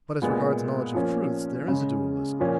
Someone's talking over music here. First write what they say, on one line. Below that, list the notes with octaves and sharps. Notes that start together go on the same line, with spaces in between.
But as regards knowledge of truths, there is a dualism.
A#2 G#3 B3
F3 A#3 C#4
C#3 G#3 C#4
A#2 F3 A#3 C#4